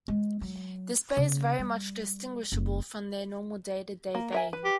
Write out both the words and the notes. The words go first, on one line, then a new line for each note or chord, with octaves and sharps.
This bay is very much distinguishable from their normal day to day baying.
G#3
F#3
C#3
G3
F#1
A#3
A#4 E5 G#5
B4
G4